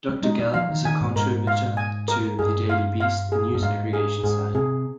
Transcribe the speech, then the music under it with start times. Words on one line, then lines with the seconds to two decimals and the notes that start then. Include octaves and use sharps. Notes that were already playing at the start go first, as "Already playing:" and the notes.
Doctor Gelb is a contributor to The Daily Beast, a news aggregation site.
0.09 G3
0.23 G#3 D#4
0.39 G3
0.54 F3 F5
0.70 D#3
0.85 D#3 G#5
1.01 G#2
1.16 G#2 A#4
1.47 F5
1.77 G#5
2.08 A#4
2.39 G2 G#4
2.70 F5
3.00 F5
3.32 G#4
3.55 G2
3.62 G#2 F5
3.93 G#4
4.23 G#2 G#4
4.54 C3 G#4